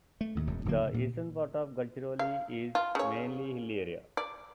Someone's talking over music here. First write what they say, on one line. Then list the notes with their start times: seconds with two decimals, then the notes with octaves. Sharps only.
The eastern part of Gadchiroli is mainly hilly area.
0.21 A3
0.35 D#2 A2
0.47 E1 F#2
0.65 D1 D3 F#3 A#3
0.83 C#3
0.94 A#2
2.19 F5
2.75 F4
2.95 C#3 C#5
4.17 D5